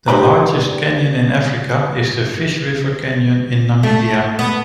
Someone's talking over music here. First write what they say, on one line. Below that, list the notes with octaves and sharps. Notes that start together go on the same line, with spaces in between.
The largest canyon in Africa is the Fish River Canyon in Namibia.
D#4 G4 B4 C5 D5 A#5
A3
B3